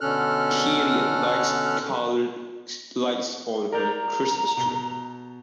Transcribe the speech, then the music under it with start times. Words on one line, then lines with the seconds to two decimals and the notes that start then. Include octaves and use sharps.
Killian likes colored lights on her Christmas tree.
0.01 B2 D3 C#4 A4 F6 F#6
3.72 A#4 D5 A#5 G6
4.57 B2 G7